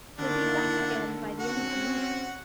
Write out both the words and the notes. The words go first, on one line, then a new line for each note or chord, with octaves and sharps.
He'll be back again by the end of the week.
D3 D#3 A#3 D4 E4 F#5
C4 C#4 F#4 F#5